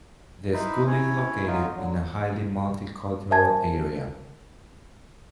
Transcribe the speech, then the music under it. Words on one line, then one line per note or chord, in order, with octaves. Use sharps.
The school is located in a highly multicultural area.
D#4 E4 B4 C5
C#4 E4 C#5
F#3 D#4 F4
D3 F#3
A#4 C5 E5 G#5 A5 G#6